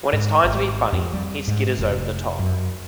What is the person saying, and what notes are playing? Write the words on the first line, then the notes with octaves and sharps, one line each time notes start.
When it's time to be funny, he skitters over the top.
G#2
G#1
F2
G3
G#2
F1
F#2